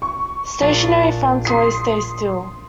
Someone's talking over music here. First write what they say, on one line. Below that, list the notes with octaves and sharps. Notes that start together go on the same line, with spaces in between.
Stationary fronts always stay still.
C#6
A#1 D4 F4
C6 D#6 C7